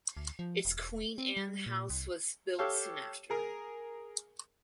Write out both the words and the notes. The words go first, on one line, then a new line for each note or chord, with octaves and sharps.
Its Queen Anne house was built soon after.
D2
F3
E1
C4
G3
A#2
C2
G4 A4 C#5 F5
G#4 A#4